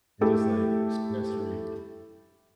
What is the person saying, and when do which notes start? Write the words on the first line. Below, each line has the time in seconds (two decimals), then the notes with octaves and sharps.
You're just, like, stress free.
0.21 A3 E4 G4 A4